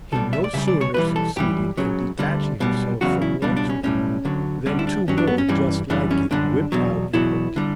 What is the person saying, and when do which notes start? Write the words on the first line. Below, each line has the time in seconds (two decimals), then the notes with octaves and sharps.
He no sooner succeeded in detaching himself from one twig, than two more just like it whipped out and hooked him.
0.12 B1 B2 G3 A4
0.33 E5
0.44 D5
0.53 C#2 C#3 G3 E5
0.68 D5
0.81 C#5
0.94 B1 A2 E3 G3 B4
1.16 A4
1.36 F#2 E3 G3 G4
1.77 C#2 C#3 F#3
2.19 D2 D3 G3
2.60 B1 B2 G3
3.01 E2 C#3 F#3 F#4
3.22 E4
3.42 C#2 B2 G3 D4
3.57 D4
3.69 C#4
3.83 B1 A2 G3 C#4
4.25 D2 D3 F#3
4.66 D2 D3 G3 C#4
4.79 E4
4.87 D4
5.08 G2 F#3 C#4
5.18 D4
5.27 B3
5.38 C#4
5.49 G2 E3 G3
5.90 F#2 E3 G3 D4
6.11 C#4
6.31 F#2 D3 G3 D4
6.72 E2 B2 F#3
7.13 E2 B2 F#3 E4
7.56 D3 G3